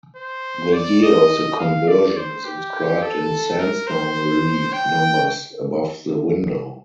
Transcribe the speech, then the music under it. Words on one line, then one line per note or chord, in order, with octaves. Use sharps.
The year of the conversion is inscribed in sandstone relief numbers above the window.
C5
D5
D#5
F5
D5
C5
G4
A4
A#4
C5
G5